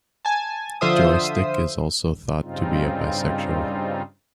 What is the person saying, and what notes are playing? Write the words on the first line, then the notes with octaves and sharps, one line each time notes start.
Joystick is also thought to be a bisexual.
G#5 A5
D3 F3 F4 C5 E5 D#6
G2 C#3 G3 C4 D#4 F4